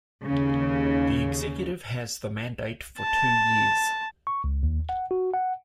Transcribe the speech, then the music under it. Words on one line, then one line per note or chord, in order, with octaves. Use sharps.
The executive has the mandate for two years.
D#2 C#3
A5
C#6
C#2
D#2
F#5
F#4
F#5